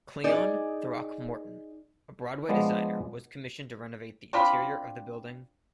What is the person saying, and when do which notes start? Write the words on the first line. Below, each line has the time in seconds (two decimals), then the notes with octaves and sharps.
Cleon Throckmorten, a Broadway designer, was commissioned to renovate the interior of the building.
0.24 D#4 G#4 D5
2.49 F3 G#3 B3 D4
4.33 C4 D4 F4 B5